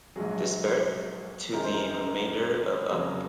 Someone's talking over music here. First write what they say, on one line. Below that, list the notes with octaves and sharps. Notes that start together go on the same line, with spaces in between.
Disparate to the remainder of Up!
A#1 G#2 F#3 G#4
F#2 D#3 G#3 A#4
C5
A#4
F2 C#3 F#3 A#3